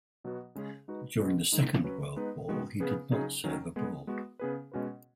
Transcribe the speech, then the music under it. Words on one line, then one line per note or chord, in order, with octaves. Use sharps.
During the Second World War, he did not serve abroad.
B2 F#3 B3 F#4
C#3 G#3 C#4 G#4
G#3 D#4 F#4 B4
B2 G#3 C#4 F#4 B4
D#3 G#3 D#4
F#3 C#4 F#4 B4
G#3 B3 D#4 B4
D#3 G#3 B3 F#4
C#3 B3 G#4 B4
C#3 F#3 D#4 G#4
D#3 F#3 C#4
G#3 B3 G#4
G#3 B3 F#4
C#3 B3 G#4 B4
B2 G#3 C#4 F#4 B4